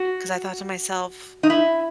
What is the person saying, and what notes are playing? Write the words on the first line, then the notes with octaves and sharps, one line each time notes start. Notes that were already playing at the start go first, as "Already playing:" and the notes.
'cause I thought to myself,
Already playing: F#4
D#4
E4